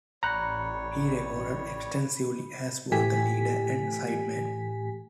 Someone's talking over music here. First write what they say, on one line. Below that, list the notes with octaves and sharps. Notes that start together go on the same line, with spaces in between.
He recorded extensively as both a leader and sideman.
A1 G3 C#5 A#5 B5 F#6 G6 C#7
A2 E3 A3 G4 G#5 B6